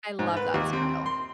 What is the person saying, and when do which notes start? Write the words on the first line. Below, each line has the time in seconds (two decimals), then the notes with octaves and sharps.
I love that style.
0.19 G#2
0.37 B4
0.54 D#2
0.73 C4
1.06 C6